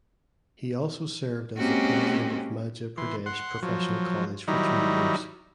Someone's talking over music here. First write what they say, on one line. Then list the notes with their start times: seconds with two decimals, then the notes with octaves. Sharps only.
He also served as the President of Madhya Pradesh Professional College for three years.
1.57 G#3 A#3 C4 C#4 F#4 G4
2.98 E3 C6
3.26 F#5 C6
3.63 F3 F#3
4.48 D#3 F#3 G3 D#4 E4